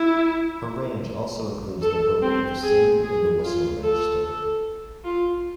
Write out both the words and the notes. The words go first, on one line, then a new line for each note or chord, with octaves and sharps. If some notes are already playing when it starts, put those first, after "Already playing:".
Her range also includes the ability to sing in the whistle register.
Already playing: E4
A4
C4
G#4
G#4
F4
A4
A4
F4